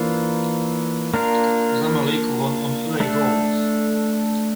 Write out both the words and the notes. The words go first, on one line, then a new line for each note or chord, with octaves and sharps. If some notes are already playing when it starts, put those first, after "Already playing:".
Zamalek won on away goals.
Already playing: E3 A#3 D4 F4 C5
A#3 D4 F4 A#4
A3 D4 A4